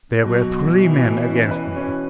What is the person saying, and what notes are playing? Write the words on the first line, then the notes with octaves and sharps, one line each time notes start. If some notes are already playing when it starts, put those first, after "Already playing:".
There were three men against me.
B2 F#3
B2
B2 E3
B2
C#4
B4
C#4